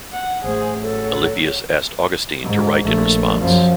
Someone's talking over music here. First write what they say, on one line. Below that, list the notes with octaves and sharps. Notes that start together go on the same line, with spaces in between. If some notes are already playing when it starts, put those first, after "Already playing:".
Alypius asked Augustine to write in response.
F#5
A1 A3 G#4 C5
F#3 A4
G#2
A#1 A3
F#2 F3